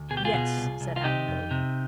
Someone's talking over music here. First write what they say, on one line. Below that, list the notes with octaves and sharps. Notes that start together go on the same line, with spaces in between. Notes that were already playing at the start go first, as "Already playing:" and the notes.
"Yes," said Adam boldly.
Already playing: D2
B2 G#4
G4
F4 G#4
B2
C2
C2
F4
C3 D#4 G4
F2
C3